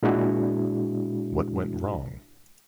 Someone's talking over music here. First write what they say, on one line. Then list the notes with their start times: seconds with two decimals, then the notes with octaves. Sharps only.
What Went Wrong?
0.03 A#2 G#3 D4 E4 F#4